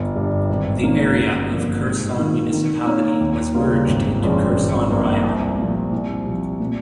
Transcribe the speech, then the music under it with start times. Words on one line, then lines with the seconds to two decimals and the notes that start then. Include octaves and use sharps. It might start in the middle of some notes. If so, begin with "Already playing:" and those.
The area of Kherson Municipality was merged into Kherson Raion.
Already playing: G1
0.15 G2 G3
0.49 G#1
0.83 G#2 D#3 A#3 C#4
1.17 G1
1.51 G2 F3 A#3
1.85 G#2
2.19 D#3 A#3 F4
2.53 D#3
2.87 A#3 D#4 A#4 C#5
3.21 D#2
3.54 C#3 G3 A#3 F4
3.88 G#1
4.23 G2 F3 G#3 C#4
4.56 G#1
4.90 G2 F3 A#3
5.24 C2
5.58 A#2 F3
5.92 C2
6.26 C3 F3
6.60 A#2